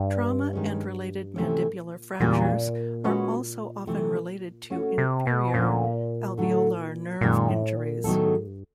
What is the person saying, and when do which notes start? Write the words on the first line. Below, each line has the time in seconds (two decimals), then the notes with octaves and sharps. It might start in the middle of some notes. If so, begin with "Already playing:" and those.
Trauma and related mandibular fractures are also often related to inferior alveolar nerve injuries.
Already playing: G2
0.53 D#3 G#3 C#4
1.36 G#2 C3 E3 A3 C#4
1.78 A#2
2.20 E2 A#2 C#3 E3 G3 A#3
3.04 G#3 C#4 F#4 B4 D#5
3.87 C3 E3 A3
4.70 B2 A3 C#4 F#4
4.98 C3
5.27 B2
5.54 D2 A#2 D3 F3 A#3 C#4
6.38 A2 D3 F#3 A3 D4
6.80 A#2
7.21 F#2 A#2 D#3 G#3
7.49 A2
7.76 A#2
8.04 A2 D#3 F#3 B3 E4 A4
8.26 G#2
8.47 G2